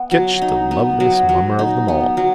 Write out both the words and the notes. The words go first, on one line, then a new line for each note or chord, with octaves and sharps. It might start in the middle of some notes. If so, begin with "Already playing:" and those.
Kinch, the loveliest mummer of them all!
Already playing: B3
F#3
D#4
B3
F#3
F#3
D#4
B3
F#3